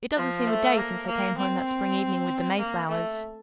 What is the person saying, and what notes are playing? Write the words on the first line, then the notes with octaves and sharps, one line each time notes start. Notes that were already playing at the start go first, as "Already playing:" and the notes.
It doesn't seem a day since I came home that spring evening with the Mayflowers.
F3
A3
A#3
A#3
C4
A#3
A3